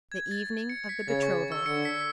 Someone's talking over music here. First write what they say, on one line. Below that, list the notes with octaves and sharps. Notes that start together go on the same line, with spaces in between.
The Evening of the Betrothal.
G#6
A6
C#7
B6
C#3 G#6
C#6
E6
D3 C#7
B6